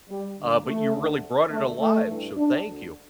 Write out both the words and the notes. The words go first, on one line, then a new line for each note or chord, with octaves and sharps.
uh, but you really brought it alive, so thank you.
G3
D2 D3
A3
D2 D3
D2 D3 A3
A3
G2 E3
D4
D2 D3